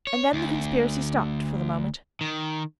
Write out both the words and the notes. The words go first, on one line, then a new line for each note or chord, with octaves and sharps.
And then the conspiracy stopped for the moment.
C#5
D2
D#3